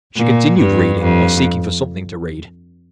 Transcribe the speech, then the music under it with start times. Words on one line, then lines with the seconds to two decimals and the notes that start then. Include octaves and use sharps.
She continued reading, or seeking for something to read.
0.16 A#2
0.59 G2
1.02 F2